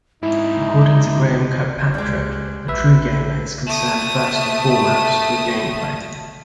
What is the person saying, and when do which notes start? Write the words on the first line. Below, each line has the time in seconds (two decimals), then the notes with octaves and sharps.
According to Graeme Kirkpatrick, the "true gamer" is concerned first and foremost with gameplay.
0.23 F2 G#2 D#4 E4 E5
1.94 C#2 G3 G#3
2.68 A#1 B4 E5
3.66 A3 D#6